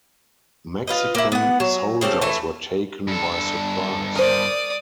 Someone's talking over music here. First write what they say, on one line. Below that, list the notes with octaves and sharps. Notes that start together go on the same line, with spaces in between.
Mexican soldiers were taken by surprise.
F4 B4 D#5
A#3 E4
B3 F#5
F#3
C#3 C4 G4 A4
E3 A3
G2 A4
A#4 C5 D5 D#6